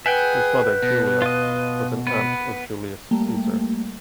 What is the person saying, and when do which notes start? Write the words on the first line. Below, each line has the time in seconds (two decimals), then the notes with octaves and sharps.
His mother, Julia, was an aunt of Julius Caesar.
0.06 G#4 B4 E5 F#5 G5
0.82 B2
1.22 F4 D#5
2.07 B3 B4
3.11 G3 A3 A#3